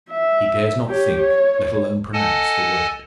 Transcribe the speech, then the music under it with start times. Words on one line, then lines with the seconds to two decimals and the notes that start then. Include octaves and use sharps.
He dares not think, let alone pronounce, the word.
0.11 E5
0.89 G4 C#5
1.18 C#5
2.13 A4 D#5 F#5 G#5 A5